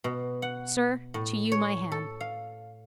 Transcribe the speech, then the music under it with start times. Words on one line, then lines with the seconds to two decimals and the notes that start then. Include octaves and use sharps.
Sir, to you my hand.
0.04 B2
0.42 F#5
1.14 A2
1.52 C#5
1.92 A4
2.20 F5